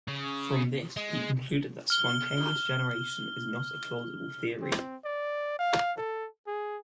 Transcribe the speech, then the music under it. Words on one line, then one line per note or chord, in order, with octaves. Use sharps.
From this he concluded that spontaneous generation is not a plausible theory.
C#3
G#3
F6 G7
C4
D5
F5
A4
G#4